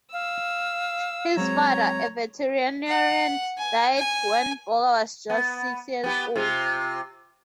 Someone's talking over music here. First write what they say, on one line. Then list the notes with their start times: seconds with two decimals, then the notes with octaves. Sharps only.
His father, a veterinarian, died when Borger was just six years old.
0.13 F5 E6
1.37 F#3 G#3 C4 C#5 A#5
2.88 F#5
3.58 G#5
3.97 G#5
5.30 B3
6.04 B3 G4 B4
6.36 C3 F4